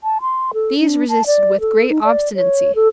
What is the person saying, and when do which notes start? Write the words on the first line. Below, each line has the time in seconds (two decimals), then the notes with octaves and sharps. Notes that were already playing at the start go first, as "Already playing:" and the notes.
These resisted with great obstinacy.
0.04 A5
0.21 C6
0.54 A4
0.79 D4
1.09 A5
1.26 D5
1.60 A4
1.90 D#4
2.05 D5
2.35 C#5
2.75 A4